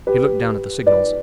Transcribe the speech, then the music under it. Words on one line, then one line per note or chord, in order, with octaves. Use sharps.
He looked down at the signals.
G4 B4
B4 D5